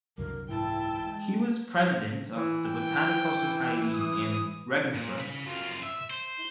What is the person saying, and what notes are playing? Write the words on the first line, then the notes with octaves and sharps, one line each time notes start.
He was president of the botanical society in Regensburg.
C2 F#2 D3 A#4
G#2 E3 E4 G5 A5
G#3
E3
G5
D#6
A#2
C#3 B5
F#2 F4
E5
C5